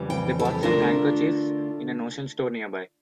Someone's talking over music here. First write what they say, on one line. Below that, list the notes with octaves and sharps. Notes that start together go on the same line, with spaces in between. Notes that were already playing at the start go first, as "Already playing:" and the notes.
They bought some handkerchiefs in a notion store near by.
Already playing: F2 C#3 E3 G3
G5
A4
G4
D3 A3 D4 F4 A#4